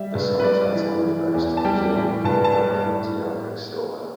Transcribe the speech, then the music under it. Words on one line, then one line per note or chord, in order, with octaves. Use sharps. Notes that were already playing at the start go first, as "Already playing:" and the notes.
The song title refers to Brazilian footballer Thiago Silva.
Already playing: G3 E5
G2
B4
G3 D5
E3
E3
E2
A5
G3 G5
A2
G2 A5
A5
G3
D5
A2 B4